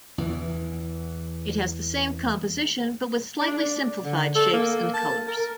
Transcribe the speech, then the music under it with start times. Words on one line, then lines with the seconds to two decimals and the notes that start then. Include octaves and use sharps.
It has the same composition but with slightly simplified shapes and colors.
0.18 E2 E3
3.40 D4
4.05 D3
4.35 A4
4.53 A#3
4.94 A5
5.28 A#4